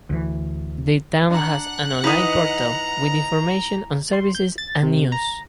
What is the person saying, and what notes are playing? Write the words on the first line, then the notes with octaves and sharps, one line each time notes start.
The town has an online portal with information on services and news.
D2 E3
D4 F#5 A#5 F#6
E3 D#4 B4 D#5 A#5
C6
G6
A6
C3
A#5